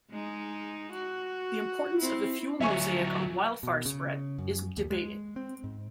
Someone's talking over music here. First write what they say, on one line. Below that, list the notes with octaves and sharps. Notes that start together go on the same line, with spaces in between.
The importance of the fuel mosaic on wildfire spread is debated.
G#3 D#4
F#4
C4 E4
D2 F#3 E5 G#5 C#6
B2
C#3
F#2
D#2
G#3
C4
G#2